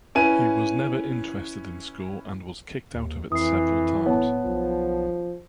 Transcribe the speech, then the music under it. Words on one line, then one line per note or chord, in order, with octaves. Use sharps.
He was never interested in school and was kicked out of it several times.
C#4 E4 B4 G#5 D#7
D#2
F2 E3 D#6 C7
D1 B3 C#5 A5
B1 F3